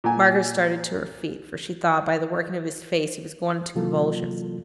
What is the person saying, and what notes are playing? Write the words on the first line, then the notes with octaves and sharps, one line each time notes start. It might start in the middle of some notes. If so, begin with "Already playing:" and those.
Margaret started to her feet,--for she thought, by the working of his face, he was going into convulsions.
A#2 G#5
C3 E3 F#3 A#3 F4 A4